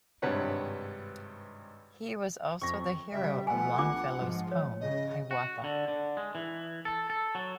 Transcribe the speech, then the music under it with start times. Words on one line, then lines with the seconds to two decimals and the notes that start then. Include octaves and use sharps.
He was also the hero of Longfellow's poem, 'Hiawatha'.
0.22 G#1 G2 C3 B4 C#5 F#5
2.62 F2 C#6 A#6
3.12 C#3 G3 E5
3.47 F3 A3 B3 F#5 G#5
3.78 A#1 D4 F4 D6
4.15 G#2 F3 G#3
4.51 C#5
4.81 C#3 D#5
5.31 F#4
5.64 D3
5.88 D3
6.17 G#3
6.35 E3
6.85 A4
7.10 A4
7.35 F#3